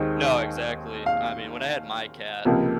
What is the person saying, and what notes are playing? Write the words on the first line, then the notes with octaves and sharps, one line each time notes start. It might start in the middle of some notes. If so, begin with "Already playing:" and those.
No, exactly. I mean, when I had my cat,
Already playing: D#2 D#3 G#3 C4
F5
C#2 C3 F3 A#3